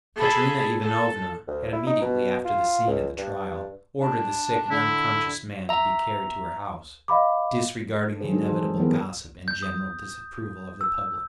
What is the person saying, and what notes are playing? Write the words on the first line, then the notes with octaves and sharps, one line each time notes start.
Katerina Ivanovna had immediately after the scene at the trial ordered the sick and unconscious man to be carried to her house, disregarding the inevitable gossip and general disapproval of the public.
G#4 A4 B5
A4
D2
E4
D#4
B2
F4
C#2
G2
D4
D3 E4
E5 A#5
D#5 F5 B5 D6
A4
D3 D#3 F#3 G3 G#4 C5
G#3 C4 D4 D#4 F#4 A4
E3 G#3 G#4 C5
E3 D#4
E3 G3 B3 E4 G#4 A#4
G6
D#6
E6